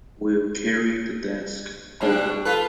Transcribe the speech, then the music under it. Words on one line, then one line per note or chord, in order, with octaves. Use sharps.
We'll carry the desk over.
B2 G3 D4
F4 A4 B4